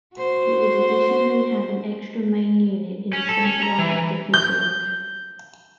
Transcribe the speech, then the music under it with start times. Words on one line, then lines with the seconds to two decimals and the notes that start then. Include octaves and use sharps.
It would additionally have an extra main unit in the centerline of the fuselage.
0.14 F#4 C5
3.13 C#4
3.28 A4
3.45 C#4
3.63 A#5
3.78 E3
4.33 G6